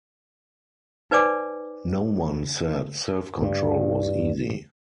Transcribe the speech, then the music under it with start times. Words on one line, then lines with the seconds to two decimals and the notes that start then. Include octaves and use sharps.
No one said self-control was easy.
1.11 D#4 B4 C5 D5 G#5 D6
3.42 G2